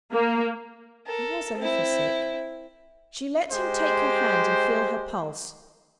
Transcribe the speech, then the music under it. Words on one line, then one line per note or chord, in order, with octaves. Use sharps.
I was a little sick.' She let him take her hand and feel her pulse.
A#3
A4 A#4
C4 E4
G#3 G4 C5